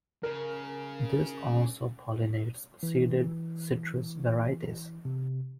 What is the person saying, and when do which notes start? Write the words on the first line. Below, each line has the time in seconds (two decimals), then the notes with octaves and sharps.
This also pollinates seeded citrus varieties.
0.23 C#3 A#4
2.83 E3
5.05 C3